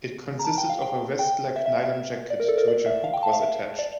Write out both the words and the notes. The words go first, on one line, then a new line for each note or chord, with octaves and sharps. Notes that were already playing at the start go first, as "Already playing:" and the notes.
It consisted of a vest-like nylon jacket to which a hook was attached.
A#5
A5
G5
F5
G5
G5
E5
E5
E5
D5
A#4
A4
A#4
D5
E5
F5
G5
E5 A5
F5
E5
D5